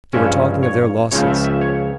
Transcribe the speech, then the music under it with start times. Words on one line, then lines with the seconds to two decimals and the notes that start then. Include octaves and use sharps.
They were talking of their losses.
0.13 G2 F3 G#3 C#4 E5
0.63 C#5
1.11 C#2 C#3 F3 C4 C#5
1.28 E5
1.44 E5
1.61 C#5